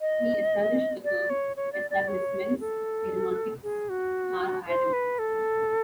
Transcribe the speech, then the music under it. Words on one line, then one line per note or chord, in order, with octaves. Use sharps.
He established the firm Etablissements Aeronautiques R. Adam.
D#5
D5
C#5
C#5
D5
D5
C#5
A4
G#4
F#4
C5
B4
A4